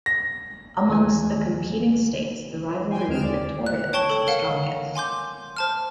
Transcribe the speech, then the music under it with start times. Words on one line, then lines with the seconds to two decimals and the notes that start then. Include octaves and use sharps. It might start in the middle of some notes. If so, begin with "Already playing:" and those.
Amongst the competing states, the rivalry with Victoria was the strongest.
0.06 A#6
0.89 D#2 E3 G#3 G#5
2.90 C5 G5 G#5 C6
3.08 D#2 G#3 C4 F6 D7 E7
3.23 D5
3.66 F#6
3.93 C#5 G5 A5 C#6 E7 G7
4.10 A4 C#5
4.27 A#4 F5 F#5
4.95 G#5 C6 D6 G6
5.57 C5 A5 F6